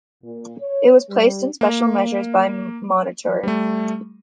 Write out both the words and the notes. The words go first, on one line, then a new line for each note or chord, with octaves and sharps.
It was placed in special measures by Monitor.
A#2
C#5
G3
A#3
G3 A3